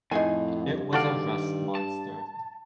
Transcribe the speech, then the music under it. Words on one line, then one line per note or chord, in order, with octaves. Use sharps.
It was a rust monster.
F2 A2 D#4 G#4 G#5
G2
D#3 F#4 A4 D5 F5
A5